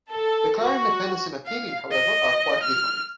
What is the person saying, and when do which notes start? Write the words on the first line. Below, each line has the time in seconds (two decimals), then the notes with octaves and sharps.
Declaring independence and attaining it however, are quite different.
0.12 A4
0.61 F#4
1.46 F5
1.91 D#5
2.63 F6